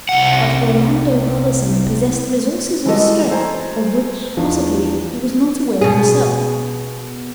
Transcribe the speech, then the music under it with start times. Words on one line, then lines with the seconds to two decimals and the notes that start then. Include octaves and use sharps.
But Orlando Brotherson possessed resources of strength of which, possibly, he was not aware himself.
0.09 C2 F#5
2.86 E3 G3 G#3 F#4 A4 D#5
3.30 A4 C5 G#5 A#5
4.37 E2 F3 D4
5.81 B2 G#4